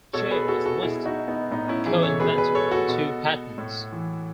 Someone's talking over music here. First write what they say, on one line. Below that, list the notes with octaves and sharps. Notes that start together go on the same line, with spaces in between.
Jay was listed co-inventor on two patents.
B2 A4 C#5
G#4 B4
F#4 A4
F#4 A4
B2 E4 G#4
D#4 F#4
B3 D#4
A2 B3 D#4
C#4 E4
E3 E4 G#4
A4 C#5
B2 G#4 B4
G#4 B4
A4 C#5
F#4 A4
B2
A2
E3